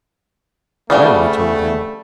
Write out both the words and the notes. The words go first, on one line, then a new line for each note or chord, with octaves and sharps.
"No," we told him.
D2 C#3 G3 A3 D4 F4